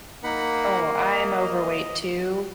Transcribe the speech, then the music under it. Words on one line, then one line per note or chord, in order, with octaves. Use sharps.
Oh, I'm overweight too.
A#3 D#4 F#5 B5
D#5